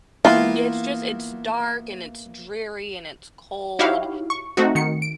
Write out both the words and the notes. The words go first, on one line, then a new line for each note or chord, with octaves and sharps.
N yeah, it's just it's dark, and it's dreary, and it's cold.
E3 A#3 B3 E4 F4 B5
D#4 E4 F#4 G4 C#5 F5
C#6
A3 C4 D#4 F#4
D#3 C#7
D7